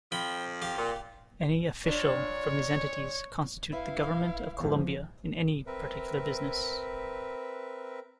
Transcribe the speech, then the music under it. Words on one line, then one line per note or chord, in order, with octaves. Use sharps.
Any official from these entities constitute the Government of Colombia in any particular business.
F2 F3 G5 B5
G4 F5
A#2
A#2 D4 C#5
E4 B4 E5 F5
E2 G#2 F3
C4 A#4 B4 E5